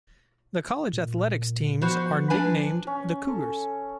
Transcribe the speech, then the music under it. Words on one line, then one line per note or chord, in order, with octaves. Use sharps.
The college athletics teams are nicknamed the Cougars.
A#2
F3 B3 F#4 C5
D4 B4 G#5
C#4
A4